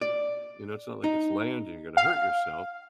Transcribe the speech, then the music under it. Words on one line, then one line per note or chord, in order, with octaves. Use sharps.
you know, it's not like it's land, and you're gonna hurt yourself."
D5
D#4
F5